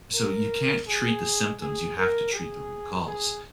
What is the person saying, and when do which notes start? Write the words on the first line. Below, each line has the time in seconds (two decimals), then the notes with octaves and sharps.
So you can't treat the symptoms, you have to treat the root cause
0.14 A#4
0.87 G#4
1.61 G#4
1.98 A#4
2.33 G#4
3.07 G#4